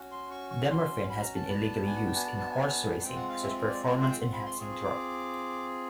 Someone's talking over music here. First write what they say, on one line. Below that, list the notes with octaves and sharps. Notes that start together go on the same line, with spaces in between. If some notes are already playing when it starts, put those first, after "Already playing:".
Dermorphin has been illegally used in horse racing as a performance-enhancing drug.
Already playing: C#4 F#4
C6
C#6
C#6
C6
B5
A#5
A5
B3 D4 F#4
G#5
F#5
G5
G#5
A5
A5
G#5
G#3 C4 F4 G5
F#5
F5
E5
D5
C5
G5
F#5
B5
C6
C4 F4 G#4 C#6
C#6
D6